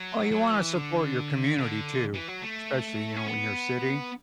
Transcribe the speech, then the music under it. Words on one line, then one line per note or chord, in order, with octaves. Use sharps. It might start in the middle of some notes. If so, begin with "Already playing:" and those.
Oh, you wanna support your community too, especially, you know, in your city,
Already playing: F#3
F#3
E3
D3
D3
E3
F#3
A3
C#4
B3